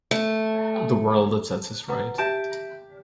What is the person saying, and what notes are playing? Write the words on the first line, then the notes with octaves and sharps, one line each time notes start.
The world that sets this right.
A3
B4 F#5 A#5
G4 E5 A5 G6 D7